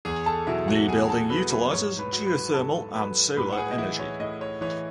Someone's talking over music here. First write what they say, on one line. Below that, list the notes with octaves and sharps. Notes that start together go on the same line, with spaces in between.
The building utilizes geothermal and solar energy.
E2 G#4 G#5
A4 A5
B2 F#3 E4 E5
F#4 F#5
E2 G#4 G#5
A4 A5
B2 F#3 B4 B5
B4 B5
G#2 C#5 C#6
B4 B5
F#3
B4 B5
G#2 A4 A5
F#3 B4 B5
A2 B4 B5
F#5
G#4 G#5
D#5
E3 E4 E5
C#5
A2 D#5
C#5
E3 C#5